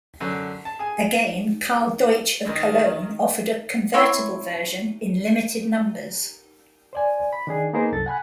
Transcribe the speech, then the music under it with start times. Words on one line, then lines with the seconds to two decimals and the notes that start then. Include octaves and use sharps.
Again, Karl Deutsch of Cologne offered a convertible version in limited numbers.
0.20 F#2 D3 C#4
0.65 A5
0.79 G#4 G#5
2.45 D#3
3.94 C4 E4 C#5
6.93 C5 D5 G#5
7.33 B5
7.47 D#3 D4 G#4
7.73 A#3 B3 D#4 G#4 A#4 C5
7.92 C2 F#2 A4 A6
8.06 F#5 G#5 B5 F#6